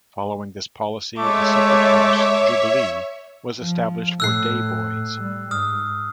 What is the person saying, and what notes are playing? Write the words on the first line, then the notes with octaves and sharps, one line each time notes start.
Following this policy, a separate house, Jubilee, was established for day boys.
G#3 A3 C#5 E5 D6
F3
A2 E6 F#6 C7
G3
G#2 D#6 F6